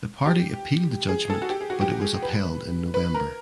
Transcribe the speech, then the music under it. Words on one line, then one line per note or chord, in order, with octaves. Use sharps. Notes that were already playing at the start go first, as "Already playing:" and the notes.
The party appealed the judgement but it was upheld in November.
G4
G#4
A4
F#4
G4
G#4
F#4
G4
G4
G#4
B4
B4
A#4